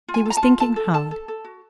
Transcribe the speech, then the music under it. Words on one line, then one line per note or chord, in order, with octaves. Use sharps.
He was thinking hard.
F4
G#5
A4
A#5
A5
F4
A4 A5
A4
A4 A5
A4
A4
F#4